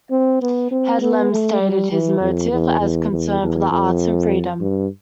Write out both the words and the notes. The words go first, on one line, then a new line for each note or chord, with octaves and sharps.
Headlam stated his motive as "concern for the arts and freedom".
C4
B3
C4
B3
A3
G3
E3
F2
E2
E2
E2
E2
F2
G2